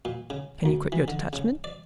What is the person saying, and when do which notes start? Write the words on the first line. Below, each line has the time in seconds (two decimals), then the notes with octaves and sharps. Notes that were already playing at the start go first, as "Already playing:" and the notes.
"Can you quit your detachment?"
0.05 A#2
0.30 C#3
0.65 D2
0.92 E3
1.08 D3
1.33 C#3
1.64 D5